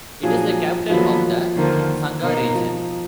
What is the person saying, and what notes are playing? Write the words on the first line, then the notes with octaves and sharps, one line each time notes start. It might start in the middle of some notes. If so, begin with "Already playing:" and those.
It is the capital of the Sangha Region.
A#2 F3 F#3 D4 G#4
D#2 D3 F3 F#3 B3
D#2 D3 D#3 F3 A#3 F4
B2 A#3 D#4
F3